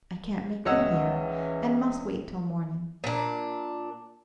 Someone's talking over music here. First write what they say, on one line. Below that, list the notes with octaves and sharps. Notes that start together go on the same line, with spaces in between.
I can't make them hear, and must wait till morning.
C#2 E3 C#4 F#4 C#5 D#5 F#5 E6
A#2 D4